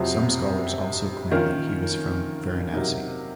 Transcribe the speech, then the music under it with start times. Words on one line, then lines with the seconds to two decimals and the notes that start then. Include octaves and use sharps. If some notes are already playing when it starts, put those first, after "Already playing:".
Some scholars also claim that he was from Varanasi.
Already playing: F2 C3 F#3 C4
1.31 D#3 A#3 C#4 F4
2.73 C3 F#3 A#3 D#4